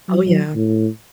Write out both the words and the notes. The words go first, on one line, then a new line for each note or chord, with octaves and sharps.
Oh, yeah.
F#3
A2